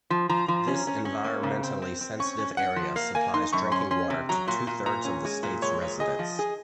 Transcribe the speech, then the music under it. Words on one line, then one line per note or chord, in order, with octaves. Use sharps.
This environmentally sensitive area supplies drinking water to two-thirds of the state's residents.
F3
F3 A#5
F3
C#4
C#4
C#4
A#3
C#3
C4
C4
C4
C#4 C#6
C#4
C#4 F#5
F3
A#3 F5
A#3 G#5
D#4 C6
F#2 C#6
C#4 C6
C#4 C6
C3
F#3 A#5
A#2 C6
A#2
A#2 A#5
C#4
G#3
A#2
G#3 C#5
A#2
G#4 D#5
F3
G#4